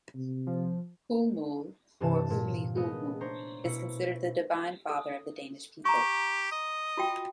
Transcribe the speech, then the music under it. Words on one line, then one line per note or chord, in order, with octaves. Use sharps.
"Hulmul" or Humli-Hulmul, is considered the divine father of the Danish people.
C3
F3
G2 C3 E3 A5 E7
A#2
G#3 A3 B3 D#4 D#5
D4 C5 C#5 A#5
B2 E4 C#7
A4
G4 A#5 C#6
D#5
F4 F#4 G5